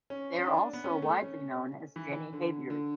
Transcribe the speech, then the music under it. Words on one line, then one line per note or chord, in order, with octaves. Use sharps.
They are also widely known as "Jenny Haviers".
C#4
C#4
D4
B3
C#4
A3
C#4
E3
D3
D3